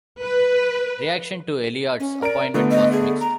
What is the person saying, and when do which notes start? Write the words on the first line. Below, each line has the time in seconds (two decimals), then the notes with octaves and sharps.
Reaction to Elliott's appointment was mixed.
0.21 B4
2.00 C#4
2.22 A#4 D5 D7
2.54 D3 A3 B3 F4
2.70 D#5
2.92 G#4
3.21 A#5